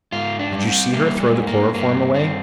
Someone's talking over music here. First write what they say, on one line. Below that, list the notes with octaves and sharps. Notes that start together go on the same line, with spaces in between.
"Did you see her throw the chloroform away?"
G#2 F4
D4
G3
C4
G3 A#3
G#3
G#2
A#3
G2 A#3
G2 C4